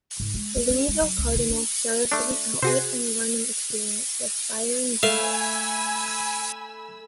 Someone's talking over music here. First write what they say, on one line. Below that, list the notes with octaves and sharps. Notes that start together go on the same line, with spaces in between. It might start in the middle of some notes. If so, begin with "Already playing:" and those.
"The Louisville Cardinal" serves as an outlet and learning experience for aspiring journalists.
G#2
G#3
A#3
C#4
G#3
F#3
C#2
D#3
D4
A3 D4
C3 F#4 G#4 C5
A3 E5 F5 G#5 B5 E6